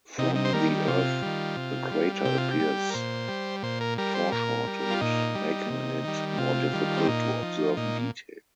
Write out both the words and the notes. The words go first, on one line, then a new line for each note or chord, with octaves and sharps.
From the Earth the crater appears foreshortened, making it more difficult to observe detail.
C3 D#4
D#4
C5
D#3 G3 A#4
C3 F4
D#3 G3
C3
G3
C3 G4
F4
G4
G3
A#4
A#2 C5
G3
A#2 C5
A#4
G3 A#4
C5
A#2 A#4
G3
F4
A#2 D#4
G3
C3
D#3 G3
C3 F4
D#3 G3
C4
A#2 D#4
F3
A#2 D#4